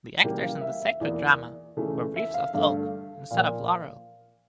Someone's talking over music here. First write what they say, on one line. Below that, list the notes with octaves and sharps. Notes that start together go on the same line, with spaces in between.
The actors in the sacred drama wore wreaths of oak instead of laurel.
C#3 E3 G3 A#3 G5
F5
E5
E5
E2 E3 A#3 D5
C#3 E3 A3
E5
F5
G2 D3 A3 F5
A#2 F3 A#3 F5